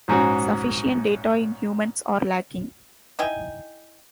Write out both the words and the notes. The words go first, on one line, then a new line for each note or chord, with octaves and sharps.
Sufficient data in humans are lacking.
A#1 G#2 C#4 F#4
D#4 E4 G5 G#5